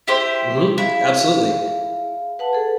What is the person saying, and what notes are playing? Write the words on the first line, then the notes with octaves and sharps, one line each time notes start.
Mhm. Absolutely.
E4 G4 C5
E4 G#4 F5
B4 F#5 A5
G#4 A4